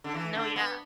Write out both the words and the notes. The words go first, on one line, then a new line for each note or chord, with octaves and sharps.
No, yeah.
D3
E3
D3
B3